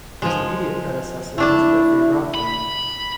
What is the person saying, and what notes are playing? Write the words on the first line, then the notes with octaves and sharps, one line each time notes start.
His immediate predecessor was Jeffery Rowthorn.
F3 G#3
A3 D4 E4 A5
B5